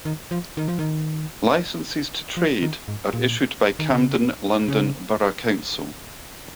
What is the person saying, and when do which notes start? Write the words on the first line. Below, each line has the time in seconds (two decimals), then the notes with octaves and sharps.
Licences to trade are issued by Camden London Borough Council.
0.05 D#3
0.31 F3
0.57 D#3
0.68 F3
0.79 D#3
2.37 F3
2.62 D#3
2.88 G#2
3.13 A#2
3.79 D#3
3.90 C#3
4.68 C#3